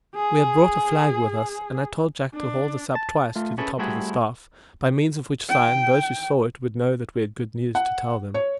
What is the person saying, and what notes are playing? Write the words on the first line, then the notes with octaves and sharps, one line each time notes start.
We had brought a flag with us, and I told Jack to haul this up twice to the top of the staff, by means of which sign those who saw it would know that we had good news to tell them.
G#4
D4
A5
A3 F4
C#4 E4 G#4 A4 B4
G3 A3 C4 E4 F#4 G#4
G5
F#5
C#5